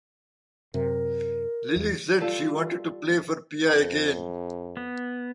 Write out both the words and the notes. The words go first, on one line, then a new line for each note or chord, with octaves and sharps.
Lilly said she wanted to play for Pia again.
F#2 C3 A#4
E2
G3 F4 A4
F2
B3